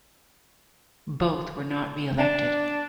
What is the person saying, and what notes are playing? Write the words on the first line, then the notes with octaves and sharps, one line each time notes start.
Both were not re-elected.
D4